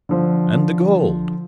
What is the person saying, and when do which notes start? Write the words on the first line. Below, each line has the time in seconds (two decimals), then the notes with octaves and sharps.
"And the gold?"
0.09 D3 F3 C5